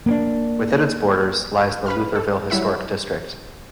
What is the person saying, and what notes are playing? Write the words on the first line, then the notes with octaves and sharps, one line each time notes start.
Within its borders lies the Lutherville Historic District.
A#3 B3 D4
B4 B5 F6
A4
F#3 G3 E4 E5 F#5